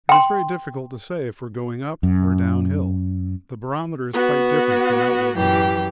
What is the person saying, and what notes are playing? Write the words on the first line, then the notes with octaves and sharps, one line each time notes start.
It is very difficult to say if we are going up or down hill; the barometer is quite different from outward readings.
G5 C6
F#2
B3 F#4
F#2 E3 G4